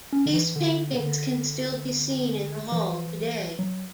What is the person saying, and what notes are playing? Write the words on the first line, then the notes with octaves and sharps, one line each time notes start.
These paintings can still be seen in the Hall today.
C#4
D3
E3
D3
C#3
D3
E3
F#3